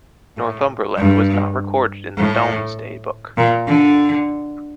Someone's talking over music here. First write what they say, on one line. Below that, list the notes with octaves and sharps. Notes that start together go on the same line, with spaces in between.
Northumberland was not recorded in the Domesday Book.
A2
G2
A2
A#2
D3